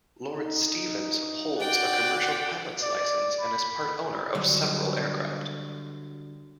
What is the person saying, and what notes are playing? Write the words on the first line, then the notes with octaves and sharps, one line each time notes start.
Lord Stevens holds a Commercial Pilot's Licence and is part owner of several aircraft.
D#4
F#4 D5 G5 F#6
D5
B5
D3 F#3 G3